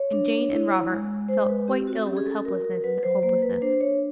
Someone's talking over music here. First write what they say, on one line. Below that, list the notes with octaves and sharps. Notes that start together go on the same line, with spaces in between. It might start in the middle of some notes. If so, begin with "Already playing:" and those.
And Jane and Robert felt quite ill with helplessness and hopelessness.
Already playing: C#5
D4
E4
G#3
G#3 C5
B4
C4 G4
F#4
C#4 G4
G#4
A4
F#4 A#4
A#4
F#3 B4
C5
A#3 C5
B4
D4 C5
C#5